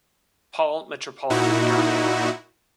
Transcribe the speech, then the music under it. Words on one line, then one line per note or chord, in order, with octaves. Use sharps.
Paul metropolitan area.
A#2 D#4 E4 F#4